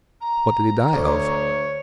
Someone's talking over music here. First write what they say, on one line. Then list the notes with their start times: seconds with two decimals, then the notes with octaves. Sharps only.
"What did he die of?"
0.21 A#5
0.93 D2 C#5